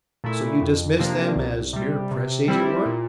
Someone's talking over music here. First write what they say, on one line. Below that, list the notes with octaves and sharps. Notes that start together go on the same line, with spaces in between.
"So you dismissed them as mere press agent work?"
A#2 A3 E4
F2
C3 F3 A#3 D4
C2
C3 G3
C3
G3 C4 E4
A#2